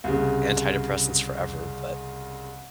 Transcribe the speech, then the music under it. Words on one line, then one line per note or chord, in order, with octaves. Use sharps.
antidepressants forever, but,
C2 C#3